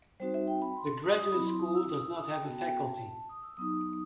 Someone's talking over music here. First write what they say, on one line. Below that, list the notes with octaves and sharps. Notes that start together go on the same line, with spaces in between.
The Graduate School does not have a faculty.
G3 C4 D#4 F#4 C5
E5
G5
B5
C6
D#6
D#6
F#3 C4 E4 B5
C6
D#6
E6
D#6
E6
D#6
G5
B3 F#4 A5
G5
G5
A5
D#6
E6
F#3 B3 D#4 D#6